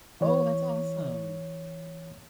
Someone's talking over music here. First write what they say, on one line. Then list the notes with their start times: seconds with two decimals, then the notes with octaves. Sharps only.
Oh, that's awesome!
0.21 E3 C#5